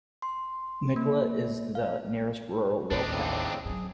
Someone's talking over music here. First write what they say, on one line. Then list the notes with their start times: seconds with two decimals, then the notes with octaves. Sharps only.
Nikola is the nearest rural locality.
0.22 C6
0.96 A#3
1.75 F5
2.91 A1 D#2 D4 D#4
3.11 A2 C#3 C4
3.65 G#2 F#3 G#4